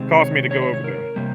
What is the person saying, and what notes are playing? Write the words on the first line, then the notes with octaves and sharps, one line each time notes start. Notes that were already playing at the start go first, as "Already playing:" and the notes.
cause me to go over there.
Already playing: C3 D#3 G#3 C4
C#5
C#5
C#5
C#5
A#4
C3 G3 A#3